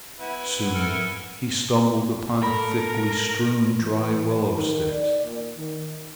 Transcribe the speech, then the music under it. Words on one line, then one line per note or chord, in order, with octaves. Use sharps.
Soon he stumbled upon thickly strewn dry willow sticks.
B3 E4 F#5 G#5
A4 A#4
A2 A4 A#4 B5
E3
D#3
D5
A#2
D#3